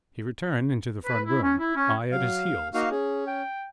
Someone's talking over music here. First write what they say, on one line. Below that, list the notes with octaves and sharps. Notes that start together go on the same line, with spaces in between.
He returned into the front room,--I at his heels.
B4
E4
C#4
E4
C#4
F#3 F5
A#3 D#4 F#4 F5
C#4 G#4
G5